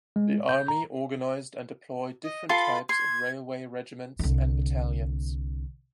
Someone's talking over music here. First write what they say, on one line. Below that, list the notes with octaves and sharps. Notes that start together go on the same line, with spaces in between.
The Army organized and deployed different types of railway regiments and battalions.
G#3
G6
A#5
D#5
F4 A4 B5 C6
C6 G#6
C2 D3